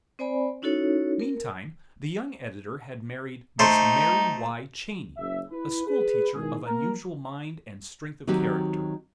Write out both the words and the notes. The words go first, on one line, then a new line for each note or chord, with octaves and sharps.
Meantime the young editor had married Miss Mary Y. Cheney, a schoolteacher of unusual mind and strength of character.
C4 C5 D5 G#5 B5
C#4 D#4 E4 F#4 A4 C#5
A#4
A3 D#4 C5
F#1 E5
E4 B4
G#4 B4
B2 D#3 G#3 E4 G#4
A#3 A#4
D#3 F#3 C4 F#4 G4